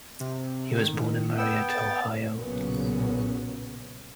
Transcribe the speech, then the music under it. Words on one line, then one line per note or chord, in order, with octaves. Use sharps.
He was born in Marietta, Ohio.
C3
D#3
B3 G5 E6
A6
B1 A#2 C#3 F#3 B3 C#4